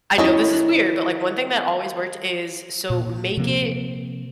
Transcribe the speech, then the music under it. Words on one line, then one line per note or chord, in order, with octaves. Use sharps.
I know this is weird, but, like, one thing that always worked is so make it
D#3 C#4 E4 D#5
A#2
C3 F3 A#3